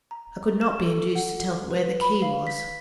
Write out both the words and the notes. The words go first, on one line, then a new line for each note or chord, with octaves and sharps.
I could not be induced to tell where the key was.
A#5
E7
A4
F#5
B4
B5
F5
B6